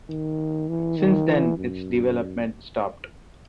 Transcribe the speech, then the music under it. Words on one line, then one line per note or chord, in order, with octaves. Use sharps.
Since then, its development stopped.
D#3
E3
D#3
E3
F#2